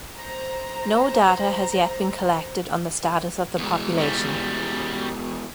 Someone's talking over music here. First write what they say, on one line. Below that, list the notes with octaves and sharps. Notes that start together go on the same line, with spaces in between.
No data has yet been collected on the status of the population.
C5 A#5
E2 G#3
G3 C#4